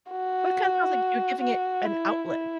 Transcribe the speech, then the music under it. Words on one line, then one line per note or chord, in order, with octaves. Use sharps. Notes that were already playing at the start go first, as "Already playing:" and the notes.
Well, it kinda sounds like you're giving it an outlet.
F#4
F#4
E4
E4